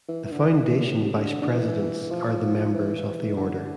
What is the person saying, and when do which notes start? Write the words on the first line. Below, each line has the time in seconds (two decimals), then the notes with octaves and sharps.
The foundation vice presidents are the members of the order.
0.08 E3
0.25 E3
0.32 D3
0.40 E3
0.80 A#2
0.87 A2
1.03 C3
1.18 D3
1.42 D3
1.49 E3
2.11 F3
2.74 E3
3.37 D3